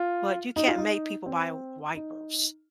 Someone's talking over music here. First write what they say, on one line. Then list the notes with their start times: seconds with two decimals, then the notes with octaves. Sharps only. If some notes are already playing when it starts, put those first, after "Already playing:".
but you can't make people buy wipers.
Already playing: F4
0.56 D#4
0.67 F4
0.78 D#4
1.26 C4
1.95 D#4